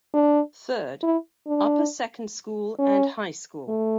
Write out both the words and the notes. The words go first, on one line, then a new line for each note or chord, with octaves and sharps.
Third: upper second school and high school.
D4
E4
D4
C#4
A3